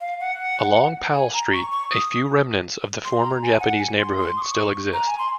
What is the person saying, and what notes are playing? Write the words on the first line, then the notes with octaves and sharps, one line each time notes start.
Along Powell Street, a few remnants of the former Japanese neighbourhood still exist.
F5
F#5
G#5
A#5
C#6
C#6
D#6
C6
A#5
G#5
F#5
G#5
C6
C6
D#6
C#6
A#5
G#5
C6